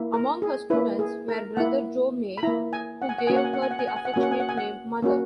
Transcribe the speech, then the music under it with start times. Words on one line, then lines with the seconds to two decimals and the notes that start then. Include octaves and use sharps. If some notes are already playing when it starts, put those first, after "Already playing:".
Among her students were Brother Joe May, who gave her the affectionate name "Mother".
Already playing: A#3 E4
0.14 A#4
0.42 G#4
0.70 A#3 E4 B4
0.99 G#4
1.28 A#4
1.57 A#3 E4 F#5
2.37 B5
2.43 A#3 E4 A#5
2.73 G#5
3.02 F#5
3.09 G#5
3.18 F#5
3.27 A#3 C#4 F#4 G#5
3.36 F#5
3.44 G#5
3.53 F#5
3.62 G#5
3.71 F#5
3.79 G#5
3.87 F#5
3.96 G#5
4.05 F#5
4.14 A#3 C#4 F#4 G#5
4.23 F#5
4.31 G#5
4.40 F#5
4.49 G#5
4.58 F#5
5.02 A#3 C#4 F#4